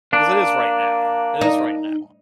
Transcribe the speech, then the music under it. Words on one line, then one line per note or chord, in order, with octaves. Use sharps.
'Cause it is right now. It is right now.
A#3 D4
D#4